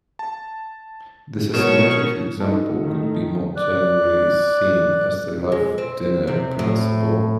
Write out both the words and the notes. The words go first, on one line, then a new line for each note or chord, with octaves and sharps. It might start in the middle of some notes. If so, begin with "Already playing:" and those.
This asymmetric example could be more generally seen as the life-dinner principle.
A5
B2 F#3 A#4 C#5 C#6 E7
D#4 A4
A2 D#3 A3
D5 F#6
G#3
C4
C3
A2